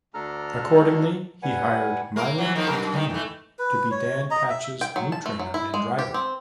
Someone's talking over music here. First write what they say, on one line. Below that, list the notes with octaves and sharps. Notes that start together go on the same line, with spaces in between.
Accordingly, he hired Myron McHenry to be Dan Patch's new trainer and driver.
D2 D4 A4 A#5 F6
G3 B4 F#5 G#5
A#3 A#4
E3 F#3
D#3 F3 A#3
F#2 A#4
G2 D#3
E3 A3
B4
C#5
D#5 A#5
E5
G5
F#3
A5
A3
F#3
E4
G#3
G4
C4